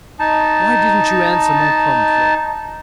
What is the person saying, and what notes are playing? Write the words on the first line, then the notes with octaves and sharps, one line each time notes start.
Why didn't you answer more promptly?
D#4 A5